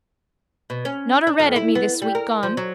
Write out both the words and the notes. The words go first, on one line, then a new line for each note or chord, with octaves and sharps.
Not a red at me this week gone.
B2
C#4
D4
F2
E4
B3
G3
A#4
F3
F#3